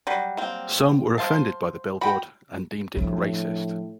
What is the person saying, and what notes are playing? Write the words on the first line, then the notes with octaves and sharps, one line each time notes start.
Some were offended by the billboard and deemed it racist.
F#3 G3
A#3 C4
C5 F5 A5
F#4 G5 B5
A2 F3 D4